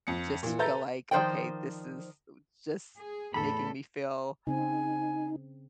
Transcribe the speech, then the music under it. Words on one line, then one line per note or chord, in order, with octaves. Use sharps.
just feel like, "Okay, this is, eh, just making me feel
F2 C#7
A#2 E3
A4 B4 E5 A#5 G6 A6
D#3 F3 C5 D5 G5
G#4
E2 A2 A4 B5
C#3 C4 D#4 G#5